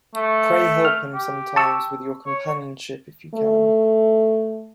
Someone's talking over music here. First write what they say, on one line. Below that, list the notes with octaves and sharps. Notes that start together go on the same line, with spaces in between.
Pray help him sometimes with your companionship if you can.
A3
F6
G4
A5 C#6 E6
C#5
A3